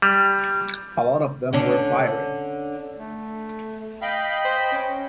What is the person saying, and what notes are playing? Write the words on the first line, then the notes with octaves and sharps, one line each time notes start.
A lot of them were firing.
G3
D3 C#4 D4
A3
D#5 F5 G5 B5
C5
C#4